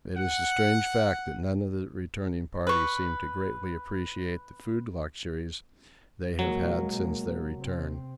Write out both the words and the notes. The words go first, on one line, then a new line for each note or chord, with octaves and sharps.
It is a strange fact that none of the returning party seem to greatly appreciate the food luxuries they have had since their return.
F#5
B4 C#6
B2 F#3 G#3 A#3
C3 C4